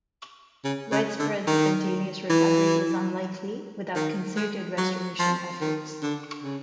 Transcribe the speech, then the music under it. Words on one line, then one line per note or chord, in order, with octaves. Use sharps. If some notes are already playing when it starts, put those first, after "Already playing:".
Widespread spontaneous recovery is unlikely without concerted restoration efforts.
C#3
C#3
D3
D#3
E3
D#3
G#3
F#3
F3
D#3
D3
C#3